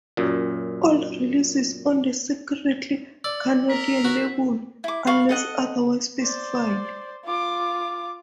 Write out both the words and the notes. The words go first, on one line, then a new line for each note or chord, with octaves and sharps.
All releases on the Secretly Canadian label, unless otherwise specified.
F#2 A#2
D5 E6
A#4 B6
F#4
E4 D6
F5 B5 C#6
A4 D#5 F#5
C5 D5
F4 D6